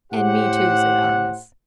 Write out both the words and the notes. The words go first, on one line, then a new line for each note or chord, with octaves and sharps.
"And me, too!" said Aramis.
A2 G4 C5 F#5